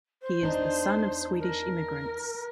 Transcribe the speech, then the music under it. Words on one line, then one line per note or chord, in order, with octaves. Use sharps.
He is the son of Swedish immigrants.
C5
E2 D4 D#4
A#4